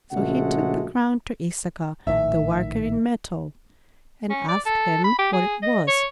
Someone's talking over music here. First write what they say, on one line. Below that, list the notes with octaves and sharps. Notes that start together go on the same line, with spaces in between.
So he took the crown to Issachar, the worker in metal, and asked him what it was.
A#1 C#3 G#3 A3 F#4 F#5
A#1 A2 D#3 E5
C#4
D5
A4
B5
G4
G#4
D#5
C#5